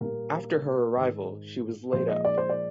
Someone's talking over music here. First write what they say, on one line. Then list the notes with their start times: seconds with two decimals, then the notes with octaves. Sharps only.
After her arrival she was laid up.
0.01 A#2 G3 A#3 A#4
0.97 G#2 D#3 G#3
1.93 A#2 F3 G#3 C5
2.08 D#5
2.25 D5
2.38 C5
2.49 D5